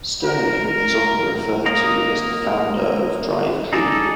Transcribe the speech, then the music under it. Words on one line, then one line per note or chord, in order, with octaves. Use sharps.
Sterling is often referred to as the founder of Drive Clean.
A#4
A#4
A#3 A#4 D#5
D#4 G#4 A4 D5